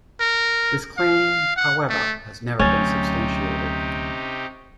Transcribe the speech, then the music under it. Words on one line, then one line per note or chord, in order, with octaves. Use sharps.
This claim, however, has never been substantiated.
A#4
F5
F#5
A3
D2 C3 F#3 C#4 D#4 G4 C#6 A6